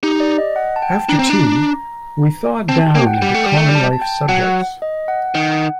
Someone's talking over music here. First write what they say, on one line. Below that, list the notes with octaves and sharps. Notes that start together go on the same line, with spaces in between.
After tea we thawed down into common-life subjects.
D#4 G4
D5
D#5
F#5
A5
G5
D4 A#5
C4
D4
A#5
C4 A5
A#3 G5
F#5
G3 G5
A3
G3
A3
G3
A5
A5
G5
F#3 F#5
D#5
F#5
D#3